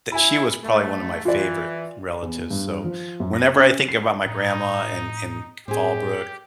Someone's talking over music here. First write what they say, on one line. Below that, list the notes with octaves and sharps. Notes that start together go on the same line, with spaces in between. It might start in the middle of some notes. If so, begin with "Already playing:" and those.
that she was probably one of my favorite relatives, so, whenever I think about my grandma and and Fallbrook,
E4 G#5 B5
G#2 A3
E3 F4 D5
E2
G2
F3
F#2
A#6
C#4
C7
A2 D#4
A2 C4 G4 G#4